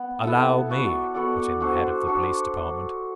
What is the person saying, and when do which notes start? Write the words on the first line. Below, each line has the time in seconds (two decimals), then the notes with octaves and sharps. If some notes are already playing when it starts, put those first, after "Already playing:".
"Allow me," put in the Head of the Police Department.
Already playing: B3
0.23 B3 E4 A4
0.69 B3 F#4 A4 D5
1.14 B3 F#4 A4 D5
1.60 D4 F#4 A4 C5
2.06 D4 F#4 A4 C5